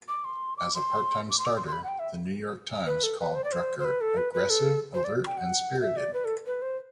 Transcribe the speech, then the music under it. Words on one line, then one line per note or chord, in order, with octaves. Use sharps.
As a part-time starter, The New York Times called Drucker "aggressive, alert and spirited".
D6
C6
D6
C6
D6
C6
D6
C6
C6
B5
F#5
G5
E5
B4
A4
B4
C5
D5
C5
C5
B4
A4
B4
B4
A4
C5
D5
G5
F#5
E5
D5
B4
A4
B4
C5